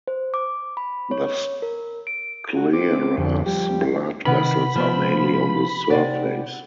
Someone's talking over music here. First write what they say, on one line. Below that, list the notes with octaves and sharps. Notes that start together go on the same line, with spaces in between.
The sclera's blood vessels are mainly on the surface.
C5
D6
B5
C#5
A#4
D7
F#4
C4 D6
F2 D3
F3 G3 G4
C3 D#3 B4 F#5 B5
F3 B3 C4
C3 D#4 D5 F#5